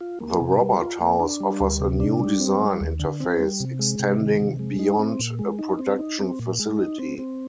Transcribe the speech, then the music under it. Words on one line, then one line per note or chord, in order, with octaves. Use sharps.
The Robot House offers a new design interface extending beyond a production facility.
F4
A#3
C3
G3
F4
A#3
D4
G3
D2
C3
D4
G3
C4
G3
D#2
D3
C4
G3
C3
G#3
C3
D#3
C3
G#3
D#4
C4
A#2
G#3
D#4
C4
D#4
C4
A#2
G#3
D#4
C4
C4